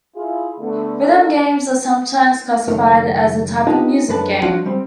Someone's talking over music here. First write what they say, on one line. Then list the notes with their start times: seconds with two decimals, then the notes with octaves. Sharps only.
Rhythm games are sometimes classified as a type of music game.
0.16 E4 F4 G#4
0.59 D3 A3 B3
1.03 D#4 F4 A4 A#4 D5
2.67 C#2 F#2 D#3 A3 A#4
3.67 D4 D#4 F4 G4 A5 A#5
4.08 F#2 D3 B4 A5
4.42 F3 D4 F4 F#4 F5
4.66 G3 C4